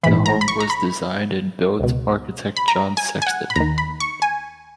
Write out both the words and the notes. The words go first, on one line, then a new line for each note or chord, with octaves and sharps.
The home was designed and built architect John Sexton.
A#1 G#2 E3 B5
A#5
B5
C#6
A#5
B5
C#2 B2
B5
A#5
G#5
G#5
F#5
B5
D#2 D#3 A#5
B5
C#6
G#5